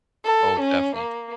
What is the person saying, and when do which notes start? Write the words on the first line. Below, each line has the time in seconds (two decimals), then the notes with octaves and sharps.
Oh, definitely.
0.24 A4
0.59 C#4
0.94 A#3